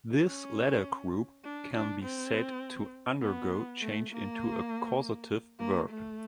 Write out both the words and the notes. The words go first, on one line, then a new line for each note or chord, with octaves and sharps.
This latter group can be said to undergo change into a causative verb.
C#4
D4
D4
C4
B3
A3
A#3
A#3
A3